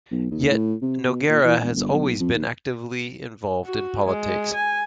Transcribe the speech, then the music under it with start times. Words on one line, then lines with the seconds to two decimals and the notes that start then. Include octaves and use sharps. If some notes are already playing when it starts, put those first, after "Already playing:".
Yet, Nogueira has always been actively involved in politics.
0.11 B1
0.31 D#2
0.50 A2
0.82 C3
1.07 B2
1.29 A#2
1.44 E3
1.62 E1
1.76 G1
1.93 B1
2.20 F2
2.33 D#2
3.66 F#4
4.05 G#3
4.54 G#5